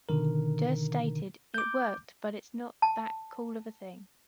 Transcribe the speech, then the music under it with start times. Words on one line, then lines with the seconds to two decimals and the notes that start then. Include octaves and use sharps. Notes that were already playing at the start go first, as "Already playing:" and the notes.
Durst stated, It worked, but it's not that cool of a thing.
0.09 B2 D3 D#3 A#4
1.54 D6 G6
2.82 A5